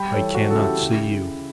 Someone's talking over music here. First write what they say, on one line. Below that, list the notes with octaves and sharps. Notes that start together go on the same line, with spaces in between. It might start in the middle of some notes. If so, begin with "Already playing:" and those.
I cannot see you.
Already playing: G3 G5 B5
A4 C#5
E3
F#4 A4
C#3 A4
E4 G4
C#3
C#3